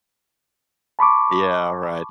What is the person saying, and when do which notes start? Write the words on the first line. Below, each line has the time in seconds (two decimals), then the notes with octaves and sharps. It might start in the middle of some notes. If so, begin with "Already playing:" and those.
Yeah, right.
0.99 A5 B5 C#6 D6